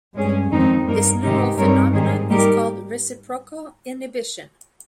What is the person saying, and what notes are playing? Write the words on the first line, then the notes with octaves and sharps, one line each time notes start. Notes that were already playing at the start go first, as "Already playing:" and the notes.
This neural phenomenon is called reciprocal inhibition.
G2 G#3 C#4 G#4
F2 D#3 G#3 C4 D#4
G2 A#3 D#4 A#4
G#2 C3 D#3 G#3 D#4 G4
G2 G3 C4 D#4 A#4 C#5
G#2 D#3 G3 C4 D#4 G#4
G3 A#3 D#4 G4 A#4